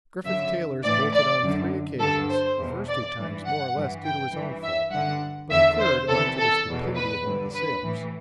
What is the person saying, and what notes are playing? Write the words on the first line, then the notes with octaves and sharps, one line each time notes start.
Griffith Taylor's bolted on three occasions, the first two times more or less due to his own fault, but the third owing to the stupidity of one of the sailors.
F#2 D3 E5
A2 E3 D5
D5
F#2 D3
G2 D3 A4
C5
E2 B2
D5
G2 E3
F#5
G2 E3
G5
G2 E3
E5
G2 D3 F#5
E2 D3 E5
C5
E2 C3 E3 A4
A4
E2 B2
B4
G2 D3
B4
A2 E3